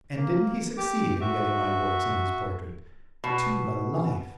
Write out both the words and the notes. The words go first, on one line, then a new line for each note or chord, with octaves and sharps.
And didn't he succeed in getting my warts in his portrait--to the life.
A#3
G4 D6
F#4 E5
B2